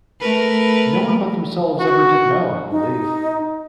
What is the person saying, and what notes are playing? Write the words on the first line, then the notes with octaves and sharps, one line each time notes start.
No one but themselves ever did know, I believe.
A3 A#4 B4
F#4
D#4